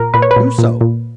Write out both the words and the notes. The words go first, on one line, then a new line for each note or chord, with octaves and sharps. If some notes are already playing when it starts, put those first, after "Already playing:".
"Do so."
Already playing: A#2 A#4
A#2 B4
C#5
B4
A#2
A#2
A#2